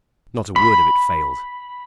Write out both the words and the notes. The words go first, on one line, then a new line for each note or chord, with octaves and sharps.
Not a word of it failed.
B5